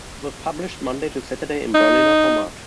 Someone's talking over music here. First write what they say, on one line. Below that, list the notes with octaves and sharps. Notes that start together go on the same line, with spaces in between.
It was published Monday to Saturday in Berliner format.
D#4